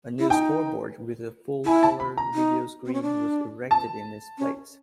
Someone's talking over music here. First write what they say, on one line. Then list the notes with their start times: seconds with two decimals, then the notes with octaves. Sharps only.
A new scoreboard with a full-color video screen was erected in its place.
0.19 E4
0.30 D#4 G5
1.66 E4 G#5
1.83 A5
2.00 B5
2.17 A#5
2.34 D#4
2.86 C4
2.93 C#4
3.02 D4
3.71 A5
4.38 C#4